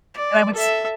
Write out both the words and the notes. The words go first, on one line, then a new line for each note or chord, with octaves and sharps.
And I would s
D5
A4 E5